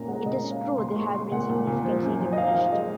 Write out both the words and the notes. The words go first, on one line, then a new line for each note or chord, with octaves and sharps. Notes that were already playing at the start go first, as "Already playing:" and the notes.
It is true they have been significantly diminished.
Already playing: A#2 C#4 A#5
G#3 F#5
A#2 D#5
C#4
F5
C#4
A#2 C6
C6
G#3 C#6
G#3 C6
A#2 F#5
A#2
A#2
F3
F#2
F3
D#5
F3 F5
F3 F5
G#3 D#5